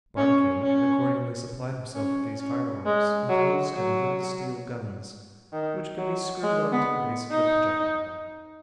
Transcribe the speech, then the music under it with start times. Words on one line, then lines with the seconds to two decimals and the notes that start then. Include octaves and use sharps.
Barbicane had accordingly supplied himself with these fireworks, enclosed in little steel guns, which could be screwed on to the base of the projectile.
0.17 C#4
0.62 C#4
1.95 C#4
2.40 C#4
2.86 G#3
3.29 F#3
3.74 F#3
5.53 D#3
5.98 F#3
6.43 G#3
6.72 B3
7.31 D#4